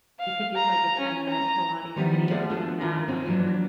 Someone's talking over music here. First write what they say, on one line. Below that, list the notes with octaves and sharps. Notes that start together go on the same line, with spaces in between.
you could do, like, a ten-minute pilates video on a mat on your
F5
A#5
C#4
A#5
D#3 F3 G3 B3 D#4 E4
A3 A#3 G#4 D5 F5 F#5
A3 B3 D4 F#4
D#3 D4 E4 F4 A#4
C4 C#4 D#4
E3 F#3 A#3 D4